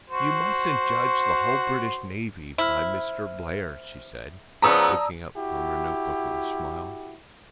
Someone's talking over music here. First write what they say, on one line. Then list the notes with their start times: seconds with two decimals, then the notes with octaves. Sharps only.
"You mustn't judge the whole British Navy by Mr. Blair," she said, looking up from her note-book with a smile.
0.10 F#4 C5
2.58 E4 C5 F6
4.62 C#3 F3 B3 D5 A5 A#5 D#6 E6
5.35 E4 F#4 G4